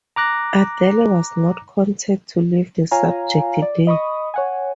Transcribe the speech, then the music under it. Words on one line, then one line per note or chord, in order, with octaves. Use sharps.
Adele was not content to leave the subject there.
A#5 D6 F#6 A#6
F4 C#5 F5 G#5 A#5
D5
D#5 B5 C#6 D#6
C#5 F#5 G#5